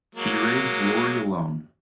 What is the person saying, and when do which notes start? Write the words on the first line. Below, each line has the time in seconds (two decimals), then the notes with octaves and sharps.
She raised Laurie alone.
0.15 F#3 G#3 A#3